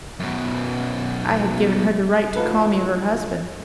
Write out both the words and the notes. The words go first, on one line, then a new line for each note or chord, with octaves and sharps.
I had given her the right to call me her husband.
F#2 B2
D2 A2 F3 D#4 A4 B4